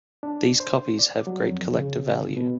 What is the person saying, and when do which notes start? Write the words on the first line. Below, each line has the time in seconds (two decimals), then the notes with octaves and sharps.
These copies have great collector value.
0.23 D4
0.60 C5
0.99 D5
1.27 F#3
1.49 F2
1.75 C#3
2.37 B2